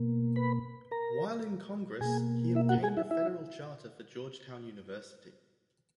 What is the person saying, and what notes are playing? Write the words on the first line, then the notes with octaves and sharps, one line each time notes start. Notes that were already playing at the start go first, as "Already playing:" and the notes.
While in Congress, he obtained a federal charter for Georgetown University.
Already playing: B2 A#3
B4 B5
A#4 A#5
B2 A#3 G#4 G#5
E4 E5
F#4 F#5
G#4 G#5
E4 E5
E4 E5